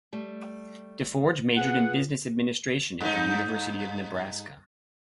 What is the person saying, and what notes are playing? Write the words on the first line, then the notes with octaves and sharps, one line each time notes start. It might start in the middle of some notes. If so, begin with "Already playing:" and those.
DeForge majored in Business Administration at the University of Nebraska.
G3 A3
B3 F4 G#4 F#5
G2 D#4